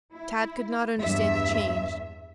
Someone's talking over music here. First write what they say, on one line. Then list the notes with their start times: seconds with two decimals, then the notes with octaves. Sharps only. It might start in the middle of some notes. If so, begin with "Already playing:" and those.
Tad could not understand the change.
0.14 E4
0.99 E2 G2 E5